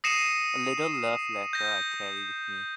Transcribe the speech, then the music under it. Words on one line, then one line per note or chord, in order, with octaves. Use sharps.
A little love letter I carry with me.
D#6 A#6 C7 C#7 D#7 E7
G6 A#6